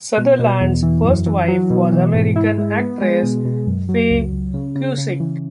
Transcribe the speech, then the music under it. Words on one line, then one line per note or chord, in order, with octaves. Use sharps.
Sutherland's first wife was American actress Faye Cusick.
B2
B2
E2
E3
F#2
E3
F#3
B2
E3
G#2
E4
G#3
B3
G#3
B2
B2
F#2
F#3
C#2
C#2
C#3
C#3
C#3
E3